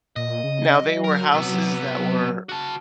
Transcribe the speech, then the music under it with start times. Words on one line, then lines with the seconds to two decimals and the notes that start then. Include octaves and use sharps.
Now, they were houses that were
0.16 A#2 D#5
0.44 C#3
0.81 F#3
1.04 A#4
1.33 C3 B3
2.49 F#4 A5